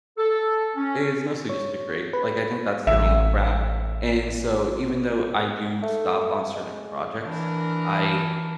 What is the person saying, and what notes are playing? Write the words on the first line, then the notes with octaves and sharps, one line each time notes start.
It is mostly just to create. Like, I think that's the main craft, and so even though I do stop on certain projects, I
A4
C#4
C#5
B4
A1 E5
A3
G#3
E3 D4 A#4